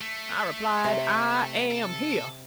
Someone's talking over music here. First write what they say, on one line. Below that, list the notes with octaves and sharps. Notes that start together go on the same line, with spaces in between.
I replied, "I am here."
A3
C3
A4